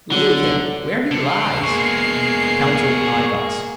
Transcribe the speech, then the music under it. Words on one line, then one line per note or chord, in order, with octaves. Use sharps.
"Leave him where he lies," counseled I-Gos.
D3 F#3
D3 F#5 C7
B2 G#3 A#3 G#4 C#6